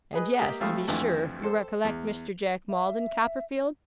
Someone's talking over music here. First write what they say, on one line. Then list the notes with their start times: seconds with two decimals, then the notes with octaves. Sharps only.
And--yes, to be sure--you recollect Mr. Jack Maldon, Copperfield?'
0.14 G#4 B4 D#5
0.39 A#3 G4 D#5 E5
0.60 C2 F3 A3 F5 B5 D#6
0.88 C2 F2 D3 E3 F3 A3
1.43 A4 C5
1.84 E2
2.69 E5